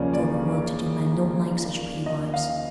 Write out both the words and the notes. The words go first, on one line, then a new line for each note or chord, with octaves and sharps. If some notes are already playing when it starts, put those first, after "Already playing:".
Sober well-to-do men don't like such pretty wives.
Already playing: D#2 C#3 F3 A#3 C#4 D5
D5
D#5
F5